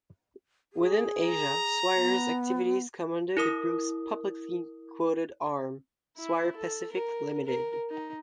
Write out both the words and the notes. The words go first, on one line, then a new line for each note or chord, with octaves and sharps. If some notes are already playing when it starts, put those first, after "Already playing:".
Within Asia, Swire's activities come under the group's publicly quoted arm, Swire Pacific Limited.
G#4
A#5
B3
E4 A#4 D#6
E4
A4
A#4
A#4
D#4